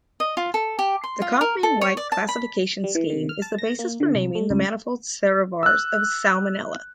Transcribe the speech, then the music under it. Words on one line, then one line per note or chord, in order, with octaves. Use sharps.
The Kauffman-White classification scheme is the basis for naming the manifold serovars of "Salmonella".
D#5
F4
A4
G4
C6
F4
A#4
A4
C#5
D5
A5
B5
G3
E3
D#3
F6
A5
A#6
A#3
D3
C2
A3
C#2
E6 F#6